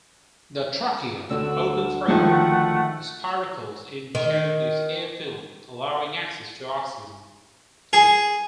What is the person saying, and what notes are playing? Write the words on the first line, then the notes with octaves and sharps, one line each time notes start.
The trachea open through spiracles into this air film, allowing access to oxygen.
D2 D3 F#4 E6
D#3 F3 A3 F#5
D#3
G#4